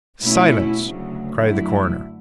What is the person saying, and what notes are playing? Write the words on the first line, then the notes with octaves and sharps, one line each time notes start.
"Silence!" cried the coroner.
B2 A3 C#4 E4
D2 C#3 F#3
F#2 D3 F#3 A3 E4